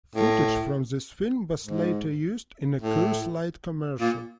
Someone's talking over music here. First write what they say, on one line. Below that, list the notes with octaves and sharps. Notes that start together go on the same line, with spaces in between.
Footage from this film was later used in a Coors Light commercial.
A2
G#2
A2
A#2